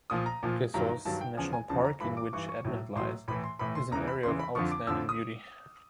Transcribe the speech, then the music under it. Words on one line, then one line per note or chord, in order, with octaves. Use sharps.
Gesause National Park, in which Admont lies, is an area of outstanding beauty.
A#2 F3 D#6
A#5
A#2 F3
G2 D#3 F#3 A#5
A#5
G2 D#3 F#3 A5
G5
E2 C#3 F3 G#5
G#5
E2 C#3 F3 A5
A#5
G2 E3 B5
D6
G2 E3 C#6
C#6
A2 F#3
A2 F#3 C6
A2 E3 B5
C6
A2 E3 B5
C6
E2 C#3 E3 A#5
B5
E2 C#3 E3 C6
B5
F2 D3 F3 C#6
D6
F2 D3 F3 E6
D#6